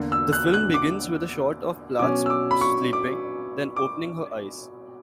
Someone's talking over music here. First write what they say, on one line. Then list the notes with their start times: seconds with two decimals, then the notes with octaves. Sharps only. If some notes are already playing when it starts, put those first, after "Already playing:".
The film begins with a shot of Plath sleeping, then opening her eyes.
Already playing: E2 D3 A#3 D4
0.12 E6
0.33 F#6
0.54 F#6
0.74 D6
1.99 B2 F#3 C#4 D6
2.26 E6
2.30 D6
2.51 B5
2.61 C#6
2.93 D6
3.76 D6